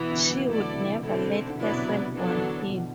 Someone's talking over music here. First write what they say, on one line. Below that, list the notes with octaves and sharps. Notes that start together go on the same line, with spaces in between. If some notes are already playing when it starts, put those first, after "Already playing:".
She would never let herself want him.
Already playing: B2 E3 B3 E4
D3
F#3
E3 A3 E4 A4 D5
D3
C3
D3
B2 D3 A3 C4 E4 A4
D3
C3 F#3 B3 E4 B4 D5
B2
C3
C3
F#3 B3 D4 A4
E3
D3
B2